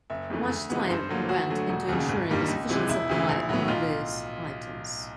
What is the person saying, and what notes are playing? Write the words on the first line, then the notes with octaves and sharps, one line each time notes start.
Much time went into ensuring a sufficient supply of these items.
F#1 E5
F2 C#3 E3 A3
D2
C3 E3 G#3 B3
G2 C5
D3 F#3 A#3
D2 F#4
D3 F#3 A3
E1
D#2 C#3
G#1
G2 D#3 G3 A#3
C#2
C3 E3 G#3
E1 E4
D2 C#3 E3
A#1
A2 F#3 B3
B1 F4